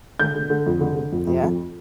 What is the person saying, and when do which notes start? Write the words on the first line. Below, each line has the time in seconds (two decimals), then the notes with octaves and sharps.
Mhm, mhm, yeah.
0.20 D3 G6
0.35 D3
0.50 D3
0.66 F2
0.81 D3
0.96 D3
1.12 F2
1.27 F2
1.43 F2